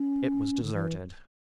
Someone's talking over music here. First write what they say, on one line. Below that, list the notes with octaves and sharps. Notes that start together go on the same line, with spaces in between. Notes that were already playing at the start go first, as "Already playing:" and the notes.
It was deserted.
Already playing: C#4
D3
E3